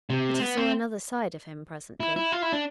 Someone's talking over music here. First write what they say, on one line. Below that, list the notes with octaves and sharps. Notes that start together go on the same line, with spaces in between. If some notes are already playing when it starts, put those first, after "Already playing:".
But he saw another side of him presently.
C3
C4
B3
C4
E4
E4
F4
E4
D4